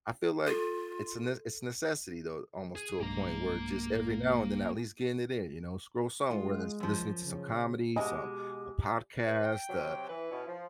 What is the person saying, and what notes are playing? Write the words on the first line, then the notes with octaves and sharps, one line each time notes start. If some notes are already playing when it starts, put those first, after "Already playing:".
I feel like it's a n it's necessity though, almost to a point where it just every now and then at least getting it in, you know, scroll somewhere, lis listening to some comedy, some a podcast, a
F4 A4
G#4
B1 G2 G#3 A#3 A#5
G#3 F4
F#2 F3
C#3
B2 G#3 G4 D#5 G#5 D#6
B4
G5
C3 F#3
E3 B4
B2 C#4 E4
F3